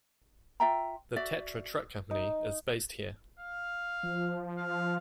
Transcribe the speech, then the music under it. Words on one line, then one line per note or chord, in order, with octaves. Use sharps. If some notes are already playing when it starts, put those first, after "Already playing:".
The Tatra truck company is based here.
F4 E5 G5 A#5
F#4 D5 E5
D#4
F5
F3
F5